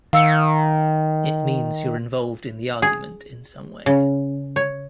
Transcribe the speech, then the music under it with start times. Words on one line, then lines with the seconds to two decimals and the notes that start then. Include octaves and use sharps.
It means you're involved in the argument in some way.
0.13 D#3 F5 E6 C#7
2.82 G#4
3.86 C#3
4.56 C#5